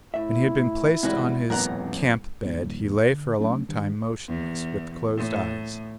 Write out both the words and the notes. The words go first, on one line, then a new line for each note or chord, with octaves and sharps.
When he had been placed on his camp bed he lay for a long time motionless with closed eyes.
A2 E4 E5
G#2 C3 E3 G3 G#3 F#4 G#5
D#1 A1 F2 B3 A#4 F#5 A#5
A1 D#2 G#2 B3
D#1 A#1 D#2 G3
D3
F#3 A3 C#4 D4
G2 D#3
E2
A2